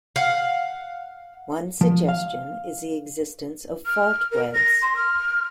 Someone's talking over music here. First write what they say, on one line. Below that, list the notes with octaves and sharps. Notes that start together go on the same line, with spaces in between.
One suggestion is the existence of fault webs.
F5 F#5
F3
F5
F6
A#4
A#6
C6
F6